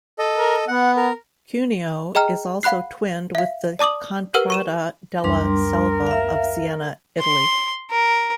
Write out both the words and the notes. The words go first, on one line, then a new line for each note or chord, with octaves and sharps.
Cuneo is also twinned with the contrada della Selva of Siena, Italy.
A4 D#5
A#4
B3 F#5
A#4
G#4 D#5 G5 A#5 F6
F5 F#5 B5 F#6 C7
E5 F5
D5 A5 D6 D#6 F#7
G4 A#4 B4 F#5 E6 F6
C#6 D#7 E7
C#2 F#2 G3 D4 A#4 C6
E5 F5
C6
A#4